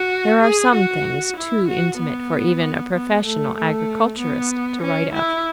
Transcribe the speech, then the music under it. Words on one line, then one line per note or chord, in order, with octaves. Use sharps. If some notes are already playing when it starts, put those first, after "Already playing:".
There are some things too intimate for even a professional agriculturist to write of.
Already playing: F#4
G#4
F#4
E4
F#4
B3
B3
A3
A3
B3
C#4
E4